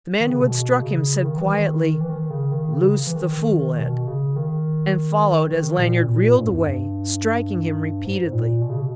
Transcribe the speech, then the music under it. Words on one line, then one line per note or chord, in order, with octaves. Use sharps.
The man who had struck him said quietly, "Loose the fool, Ed," and followed as Lanyard reeled away, striking him repeatedly.
D#3
C#3
B2
C#3
D#3
E3
D#3
E3
D#3
C#3
D#3
C#3
E3
D#3
D#3
D#3
B2
C#3
D#3
D#3
A#2
A#2
G#2
G2
E2
G2
G#2
A#2
B2
C#3
B2